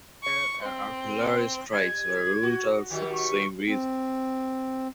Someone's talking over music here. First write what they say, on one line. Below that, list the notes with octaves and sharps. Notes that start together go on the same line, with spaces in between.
Air and artillery strikes were ruled out for the same reason.
C#6
C4
G3 G#6
F#4
D#3 F#3 G3
C#6
C4